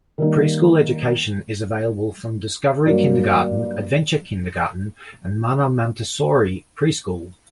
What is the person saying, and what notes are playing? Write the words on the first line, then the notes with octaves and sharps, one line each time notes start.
Preschool education is available from Discovery Kindergarten, Adventure Kindergarten and Mana Montessori Preschool.
D#3 G3 A#3 D#4
G2 F#3 A#3